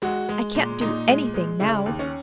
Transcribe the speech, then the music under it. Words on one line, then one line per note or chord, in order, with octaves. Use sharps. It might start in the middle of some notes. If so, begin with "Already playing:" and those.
"I can't do--anything, now."
G#3 F#4
G#3
A#2
A#2 D#4
G#3
G#3
C#3 E4
D#2
C#4